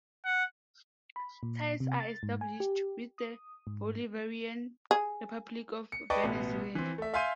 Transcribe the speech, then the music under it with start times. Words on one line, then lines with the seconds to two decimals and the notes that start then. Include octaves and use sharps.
Ties are established with the Bolivarian Republic of Venezuela.
0.25 F#5
1.16 B5
1.43 A#2
1.80 C3
2.00 A6
2.23 G#2
2.41 G#5
2.60 G4
3.18 D#6
3.67 G#2
4.91 G#4
5.92 C#7
6.10 B4 D5 D#5 G5 A5 C#6
6.23 A1 B2 B4
6.75 E3 C4
6.98 A3 E5
7.14 E5 F5 G#5 C6 G6 D#7